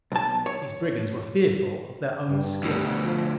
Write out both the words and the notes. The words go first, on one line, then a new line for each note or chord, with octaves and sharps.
These brigands were fearful of their own skill.
B1 A5
C#5
G2
D2 B2
F3